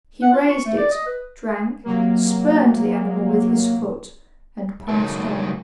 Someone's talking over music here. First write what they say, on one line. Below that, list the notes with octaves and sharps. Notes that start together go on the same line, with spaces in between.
He raised it, drank, spurned the animal with his foot, and passed on.
F#5
F4
C#6
A3
D5
D#5
B4
C3 F#3 A#3
C#3 F#3 G#3 D#4 A4 A#4